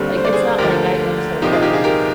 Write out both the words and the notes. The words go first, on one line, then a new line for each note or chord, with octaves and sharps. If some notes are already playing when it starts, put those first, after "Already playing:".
Like, it's not, like I I just had a friend,
Already playing: D#2 D3 G3 C4
C5
D5
G#4 C5
D2 D3 F3 G4 A#4
C2 A#2 F3 A#3 D#4 G4
F4 G#4
D#4 G4
F4 G#4
G4 A#4